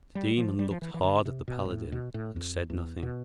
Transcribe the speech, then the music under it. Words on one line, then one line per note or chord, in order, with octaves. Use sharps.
The demon looked hard at the paladin, and said nothing.
G3
F3
G3
F3
E3
E3
D3
C3
B2
G2
A2
B2
A2
F2
E2
B2